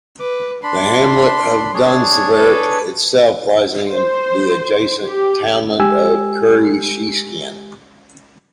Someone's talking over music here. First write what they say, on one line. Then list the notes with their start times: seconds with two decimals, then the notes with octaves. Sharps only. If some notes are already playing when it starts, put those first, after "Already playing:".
The hamlet of Dunseverick itself lies in the adjacent townland of Currysheskin.
0.20 B4 D6
0.63 D4 B5 C6
1.74 D4 G#4 C#5
2.35 A4 B4
3.89 C5
5.05 G4
5.80 G#3 G4 G#5 E6